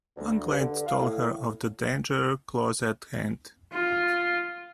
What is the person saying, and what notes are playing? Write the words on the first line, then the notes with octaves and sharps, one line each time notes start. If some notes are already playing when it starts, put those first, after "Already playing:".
One glance told her of the danger close at hand.
D2
G2
D3
F5
A2
F4